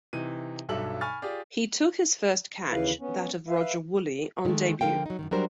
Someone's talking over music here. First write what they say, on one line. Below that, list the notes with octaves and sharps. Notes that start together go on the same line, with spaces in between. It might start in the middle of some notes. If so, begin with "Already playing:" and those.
His took his first catch, that of Roger Woolley on debut.
C3 E3 D#4 D#7
B1 G2 F#3 A4 E5 F#7
G#5 B5 C#6 F6 A6
F4 G4 G#4 D5
D#2 C#3 E3 E4 B4 F5
B3 C#4
B4 E5 F5
D3 D#3 F#3 G#3 A3
D3 F3 A#4 F5 G5
F#3 D#4
F#2 A2 D#3
F#3 G3 D4 A#4 C5